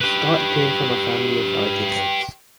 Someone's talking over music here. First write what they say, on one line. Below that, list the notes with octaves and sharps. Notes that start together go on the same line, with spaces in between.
Scott came from a family of architects.
G4 B4